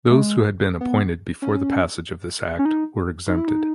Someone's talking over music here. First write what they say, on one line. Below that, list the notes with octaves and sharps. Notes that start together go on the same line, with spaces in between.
Those who had been appointed before the passage of this Act were exempted.
A3
G#3
B3
C#4
C#4
D#4
D#4
E4
D#4